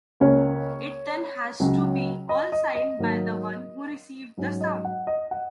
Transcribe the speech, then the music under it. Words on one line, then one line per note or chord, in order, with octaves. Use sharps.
It then has to be all signed by the one who received the sum.
C#2 C#3 A#3 C#4 C#5
C#2 C#3 F#3 C#4
D#5
D#5
D#5
G#2 D#3 F#3 A#3
G#2 F#3 C#4
D#5
F#5
D#5
F#5